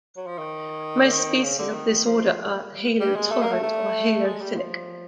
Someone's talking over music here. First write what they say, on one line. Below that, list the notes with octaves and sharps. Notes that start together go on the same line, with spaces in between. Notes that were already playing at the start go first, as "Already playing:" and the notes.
Most species of this order are halotolerant or halophilic.
F#3
F3
D#3
D3
D#3
C#3
D3
D#3
F3
G3
G#3
A3
A#3
A3
A3
G#3
G3
F3